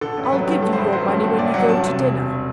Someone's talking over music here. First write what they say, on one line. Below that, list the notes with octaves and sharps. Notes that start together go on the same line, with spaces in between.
I'll give you your money when you go to dinner.
D3 A4
A1
B4
F#3
G2 G4
D3 A4
C5
A1 B4
F#3 C5
G2
D3
A1 D5
F#3 F#5
G2 A5
C3
E1
E1